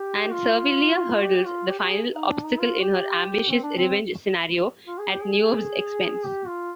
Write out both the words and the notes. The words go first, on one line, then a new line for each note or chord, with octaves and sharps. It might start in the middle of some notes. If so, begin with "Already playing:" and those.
And Servilia hurdles the final obstacle in her ambitious revenge scenario, at Niobe's expense.
Already playing: G4
F4
F4
G4
G4
F4
G4
G4
G#4
D#4
D4
D#4
F4
G4
C4
D4
C4
F4
G#4
G4
G#4
G#4
G4
F4